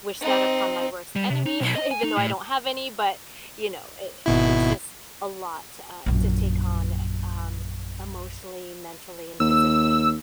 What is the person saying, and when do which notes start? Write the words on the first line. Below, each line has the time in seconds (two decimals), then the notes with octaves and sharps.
wish that upon my worst enemy even though I don't have any, but, you know, i it's just a lot, uh, to take on, um, emotionally, mentally, and physically.
0.21 C4 D#4
1.16 G3
1.30 C3
1.46 D#4
1.61 B1
1.75 D#5
1.91 G#5
2.04 D#4
2.17 A2
4.26 G#1 B2 E4
6.06 A#1 F#2
9.40 D#2 E6